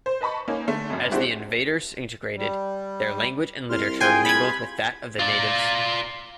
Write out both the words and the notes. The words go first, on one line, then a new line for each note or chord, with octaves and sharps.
As the invaders integrated, their language and literature mingled with that of the natives.
C5
B4 D#5 A5 B5 C#6
A#3 C#4 D#4
D3 A3
G#1 F#2
G#3 C4 D4 E4 F#4 G4
G3
C2 C6 F6
F4 G#4 G5 G#5 C6
B5 G#6
F4 D5